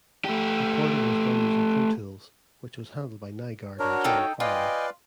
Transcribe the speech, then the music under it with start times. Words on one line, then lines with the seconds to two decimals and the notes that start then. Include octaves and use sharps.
Recording was done using Pro-Tools, which was handled by Nygard and Jerry Farley.
0.25 A3 G4
3.79 D4 F#4 A#4 C#5
4.04 D#4 A4 G5
4.40 F4 B4 D5 D#5 F5 G5 G#5